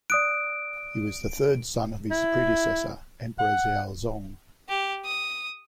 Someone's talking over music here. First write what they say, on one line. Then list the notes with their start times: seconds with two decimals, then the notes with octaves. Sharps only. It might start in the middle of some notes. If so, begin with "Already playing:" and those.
He was the third son of his predecessor, Emperor Xiaozong.
0.10 D5 D#6 F#6 D7
2.11 E4
3.39 F#5
4.69 G4
5.05 D#6